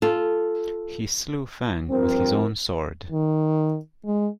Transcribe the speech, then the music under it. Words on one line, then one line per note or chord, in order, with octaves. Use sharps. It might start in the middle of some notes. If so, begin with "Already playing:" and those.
He slew Feng with his own sword.
F4 A4
G2 F3 C4 A#4
D#3
G#3